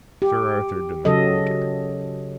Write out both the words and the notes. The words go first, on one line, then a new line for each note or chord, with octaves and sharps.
Sir Arthur did not like it.
G4
C#3 F#3 A4 D#5